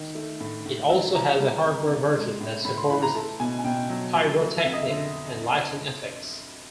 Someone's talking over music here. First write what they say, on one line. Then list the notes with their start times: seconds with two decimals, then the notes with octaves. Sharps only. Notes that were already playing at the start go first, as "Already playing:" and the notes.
It also has a hardware version that supports pyrotechnic and lighting effects.
Already playing: D#3
0.15 A3
0.40 A2
0.66 A2
0.90 F#3
1.15 E3 A#5
1.40 G3
1.65 F2
1.90 C3
2.15 G#3
2.40 A2
2.65 A2 B5
2.77 C6
2.90 E3 B5
3.02 A#5
3.15 A3 A5
3.40 B2 G#5
3.59 G#5
3.64 B2 G5
3.90 F#3
4.15 F3
4.39 A3
4.64 F2 E5
4.73 D#5
4.82 E5
4.89 D3